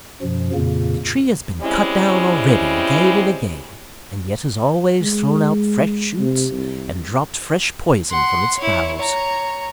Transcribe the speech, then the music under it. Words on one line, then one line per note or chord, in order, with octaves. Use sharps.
The tree has been cut down already again and again; and yet has always thrown out fresh shoots and dropped fresh poison from its boughs.
F#2 B2 F3
F2 A#2 C#3 A#3
G3 G#3 C4 C#4 E4
G#3
C3
C2
F#5 C6
E4 C#5
C#5 A#5